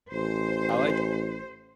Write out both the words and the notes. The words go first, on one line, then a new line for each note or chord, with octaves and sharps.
I like
A1 C5